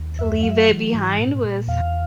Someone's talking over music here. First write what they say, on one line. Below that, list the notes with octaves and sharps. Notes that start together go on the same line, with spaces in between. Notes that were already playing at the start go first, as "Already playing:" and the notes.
to leave it behind was
Already playing: D#2
F#2 E5
F#3 F5
E5
F5
E3
G#2
A#2
A#2
E2 F5